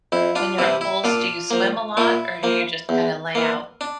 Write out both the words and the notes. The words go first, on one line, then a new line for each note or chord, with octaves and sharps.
when you're at pools, do you swim a lot, or do you just kinda lay out?
F2 E4
D4 F4
C3 E3 G3 E4
E4
A#2 D4 F4
F3 A#3
A#2 E4
F3 A#3
E2
E3 A#3
D4